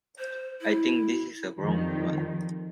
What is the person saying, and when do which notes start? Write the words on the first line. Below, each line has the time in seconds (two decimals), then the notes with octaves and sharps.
I think this is the wrong band.
0.19 C5
0.61 E4
1.58 F2 D#3 F3 G3